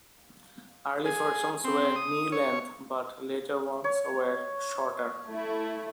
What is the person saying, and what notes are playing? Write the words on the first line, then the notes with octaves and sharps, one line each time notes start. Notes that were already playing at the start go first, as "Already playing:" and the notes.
Early versions were knee-length but later ones were shorter.
G#4
C4
D#6
C#5
C#5
A3 E4